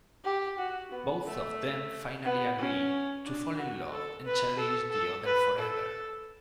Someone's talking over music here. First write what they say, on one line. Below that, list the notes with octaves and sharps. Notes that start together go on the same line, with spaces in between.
Both of them finally agree to fall in love and cherish the other forever.
G4
F#4
B3
A3
B3
C#4
D4
F#4
A4
B4
A4
A4
B4
A4